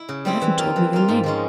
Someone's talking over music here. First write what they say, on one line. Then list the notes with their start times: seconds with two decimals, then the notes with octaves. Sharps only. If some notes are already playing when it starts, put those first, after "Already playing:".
"You haven't told me your name."
Already playing: E4
0.09 C#3
0.25 G3 C4 E4
0.41 E3
0.58 A#3 F4
0.76 E3
0.93 A#3 F4
1.08 G#2
1.24 F3 G#3 C#4